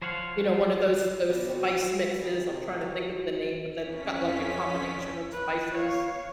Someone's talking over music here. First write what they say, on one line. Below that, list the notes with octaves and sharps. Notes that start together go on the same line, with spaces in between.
you know, one of those those spice mixes. I'm trying to think of the name, but that's got, like, a combination of spices,
F3 C5 C#5 F5 F#5
B2 D4 B4 E5
C4 E4 F#4 A4
E4 G#4 A#4
C3
F3 F#3
F2 C#4 B6
B4
C#5 F5